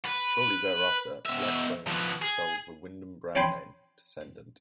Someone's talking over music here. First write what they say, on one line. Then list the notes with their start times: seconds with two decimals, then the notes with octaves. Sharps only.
Shortly thereafter, Blackstone sold the Wyndham brand name to Cendant.
0.06 B4
1.25 B2 E5
1.87 F3 B3
2.22 G#4
3.35 C#4 G5 G#5 B5 C6